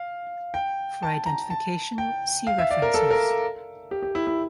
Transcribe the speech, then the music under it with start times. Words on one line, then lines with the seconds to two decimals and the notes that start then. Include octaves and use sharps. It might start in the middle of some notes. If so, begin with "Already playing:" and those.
For identification see references.
Already playing: F5
0.54 G5
1.03 A5
1.26 A#5
1.50 A5
1.98 G5
2.47 F5
2.58 E5
2.71 D5
2.82 A#4
2.94 A4
3.11 A#4
3.91 G4
4.03 G4
4.15 E4
4.27 E4